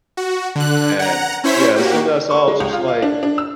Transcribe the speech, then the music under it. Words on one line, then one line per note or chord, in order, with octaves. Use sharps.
and Yeah, something I saw, I was just like,
F#4
D3 F#6
F#5 A#5
C#4 E4 C5 C#5 B6
A#3 F#4 G4
C#6
G#3
C#2
F4
F5
D4
D4
E6